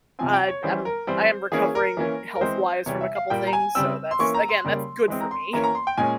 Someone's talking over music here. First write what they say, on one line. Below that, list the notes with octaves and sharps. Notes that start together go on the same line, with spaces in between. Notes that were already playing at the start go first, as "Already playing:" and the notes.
I've am I am recovering health wise from a couple things. So, that's again, that's good for me.
C3 F3 C4 G#5
G5
C#5
E3 G3 C#4 C5
A#4
E3 G3 C4 C5
E3 A#3 C#4 G#4
A#4
E3 A#3 C#4
A#4
E3 G#3 C4 C5
C3 E3 G3 C#5
E5
F5
A#2 G3 A#3 G5
A#5
G#5
C#3 G3 C4 E6
C6
E3 A#3 C#4 C#6
A#5
C6
C#3 G3 A#3
E3 G#3 C4
A#5
C6
E3 A#3 C#4 A#5
A#5
C6
G5
A#2 G#3 C#4 G#5